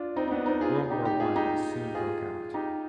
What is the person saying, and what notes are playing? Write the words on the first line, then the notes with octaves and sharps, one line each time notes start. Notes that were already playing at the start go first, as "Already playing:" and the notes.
World War One soon broke out.
Already playing: D4 F4
C4 D#4
D#4
B3 D4
C4 D#4
F4 G#4
D#4 G4
D#4 G4
F4 G#4
D#4 G4
F4 G#4
D#4 G4